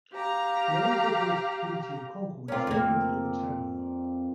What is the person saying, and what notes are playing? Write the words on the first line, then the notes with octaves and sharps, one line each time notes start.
The unincorporated community of Concord is located in the town.
G4 F5 A#5
C4 C#4 F4 A#4 D5
F2 A#3